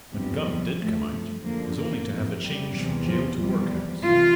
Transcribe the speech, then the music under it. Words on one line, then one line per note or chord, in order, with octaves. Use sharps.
When Gun did come out, it was only to have a change from gaol to workhouse.
E2 C3 F3 G3
G2 F3 A3
F2 D3 F3 A#3
A#3
F2 C3 E3
G3
E2 C3 E3
F3
E2 C3 F3 G3
C3 E3 F4